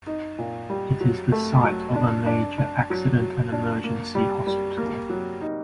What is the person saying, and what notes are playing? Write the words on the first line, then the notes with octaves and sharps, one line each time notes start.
It is the site of a major Accident and Emergency hospital.
D#4
A#2
G3
F#3
A3
F#3
D4
D4
D4
F#3
F#3
D4
A#3
G3
G3
A#3
F#3
D#4